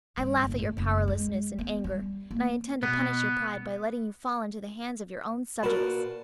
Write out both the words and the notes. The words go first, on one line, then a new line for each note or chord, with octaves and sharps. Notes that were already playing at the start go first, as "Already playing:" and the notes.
"I laugh at your powerlessness and anger, and I intend to punish your pride by letting you fall into the hands of your own subjects."
G2
F#1
A3
F#1
G#3
B3
G3
A#3
B2 B3
A#2 F#4 A#4 A5 B5
B4